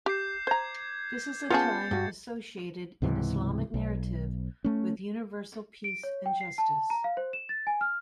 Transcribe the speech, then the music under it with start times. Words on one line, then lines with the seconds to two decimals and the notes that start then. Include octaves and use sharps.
This is a time associated in Islamic narrative with universal peace and justice.
0.06 G4 D6 G6 C7
0.47 C5 A#5 G#6
1.50 B3 C#4 F4 G#4 A5 G6 A6 C#7
1.91 G2 F#4
3.02 C#2 G#2 C3 E3
3.74 B1
4.64 A3 C#4
5.84 D7
6.03 C#5
6.26 G5
6.41 C7
6.58 A5
6.90 A#5
7.04 F5
7.17 C5
7.33 E7
7.49 A6
7.67 G#5
7.81 F6